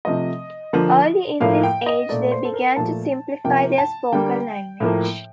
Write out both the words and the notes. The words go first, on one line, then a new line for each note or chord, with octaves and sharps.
Early in this age, they began to simplify their spoken language.
C3 F3 A3 D#5
D3 F3 A#3
A2 F3 A#3 F5
G5
D#5
A#2 A3 D5
C5
A4
A#4
A#2 F3 A3 A5
C3 F3 A#3 G5
A5
D3 G3 A#3 G5
A2 F3 A#3